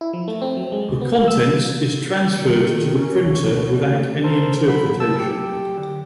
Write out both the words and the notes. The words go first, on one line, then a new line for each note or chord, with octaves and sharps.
The contents is transferred to the printer without any interpretation.
E4
F3
A3
C4
F#3
G#3
D2
B3
A#3
E6
D#3 A4
C#4 A#4
D2 C#5
B2 D3
C3 A3
A4 A#4 C5
F#3 A4 B5
A#2
A5 E6
G4
D3